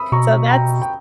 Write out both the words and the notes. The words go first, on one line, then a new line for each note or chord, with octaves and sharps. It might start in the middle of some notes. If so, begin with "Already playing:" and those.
so, that's
Already playing: B5 D#6 E6
B2 A#5 C#6
G5 A#5
G5